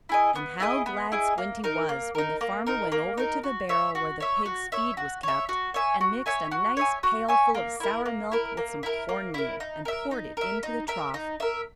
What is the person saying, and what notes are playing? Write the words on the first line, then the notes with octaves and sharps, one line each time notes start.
And how glad Squinty was when the farmer went over to the barrel, where the pigs' feed was kept, and mixed a nice pailful of sour milk with some corn meal, and poured it into the trough.
E4 G#4 D#5
B3
E4 G#4 D#5
B3
E4 G#4 D#5
A#3
D#4 A#4
A#3
D#4 A#4
A#3
D#4 A#4
A#3
D#4 A#4
F#4
C#5 E5
F#4
C#5 E5
F#4
C#5 E5
F#4
C#5 E5
F#4
C#5 E5 G#5
F#4
C#5 E5 G#5
F#4
C#5 E5 G#5
F#4
C#5 E5 G#5
A#3
E4 A#4
A#3
E4 A#4
A#3
E4 A#4
A#3
E4 A#4
D#4
A#4 E5
D#4
A#4 E5
D#4
A#4 E5
D#4
A#4 E5